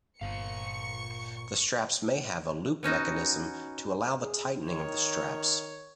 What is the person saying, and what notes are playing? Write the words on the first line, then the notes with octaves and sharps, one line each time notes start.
The straps may have a loop mechanism to allow the tightening of the straps.
G1 A#2 C5 F5 C#6 C#7
B3 C#4 D#4 F#4
G#4
D#3 C#5